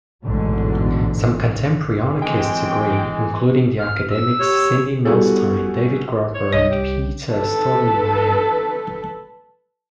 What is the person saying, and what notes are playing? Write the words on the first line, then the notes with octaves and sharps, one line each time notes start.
Some contemporary anarchists agree, including the academics Cindy Milstein, David Graeber, and Peter Staudenmeier.
A1 E2 G#2 B2 D3 F#3
E3 F#3 G#3 C4 G5
F6
E6
G4 C#5
G3 B3 E4 F#4 G#4 A4
C#5
C2 C#5 D#5
G4
A4 B4